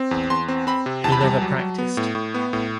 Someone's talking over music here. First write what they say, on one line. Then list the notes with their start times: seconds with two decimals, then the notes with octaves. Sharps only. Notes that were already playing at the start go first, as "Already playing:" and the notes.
He never practiced.
Already playing: C4
0.11 E2
0.30 E2 C6
0.48 C4
0.67 C4 B5
0.86 C3
1.04 E2 A5
1.12 B5
1.21 G3 A5
1.42 F#3
1.59 F#3
1.78 B3
1.97 A2
2.15 A2
2.34 B3
2.53 A2